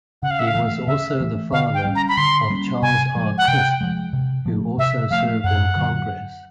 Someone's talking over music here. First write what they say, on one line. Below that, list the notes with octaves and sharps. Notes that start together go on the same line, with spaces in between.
He was also the father of Charles R. Crisp who also served in Congress.
C#3 F#5
F5
E5
F5
E3 A3
C#3 E5
E3 A3
D3 F5
G5
G3 A#3 C#4
A#5
B5
D3 C6
G3 A#3 C#4
C3 G#5
F3 G#3
F#5
C3 G5
F3 G#3
C3
F3 A3
C3 E5
F3 A3 F5
F#2 F#5
D3 F#3